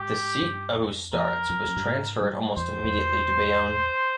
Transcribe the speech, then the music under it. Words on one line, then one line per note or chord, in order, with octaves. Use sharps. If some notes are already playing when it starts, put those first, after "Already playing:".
The seat of Ustaritz was transferred almost immediately to Bayonne.
Already playing: G#2 G4
G2
F2
F2 A#4
F#2
F#2
G2
G#2
G2
F2 C5
F2
E2